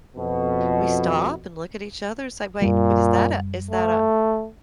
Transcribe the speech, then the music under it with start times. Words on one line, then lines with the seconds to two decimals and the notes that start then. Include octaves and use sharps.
we stop and look at each other and say, "Wait, what is that a is that a
0.17 F2 B2
2.62 F#2 A#2 G3
3.71 A3